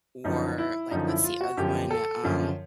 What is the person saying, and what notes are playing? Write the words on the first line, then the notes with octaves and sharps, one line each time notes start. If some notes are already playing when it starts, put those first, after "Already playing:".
or, like What's the other one? Um,
F#2 D3 F3 D#4
E4
F#2 D3 F3 D#4
E4
F4
F#4
F#2 D3 F3 G4
A4
F#2 D3 F3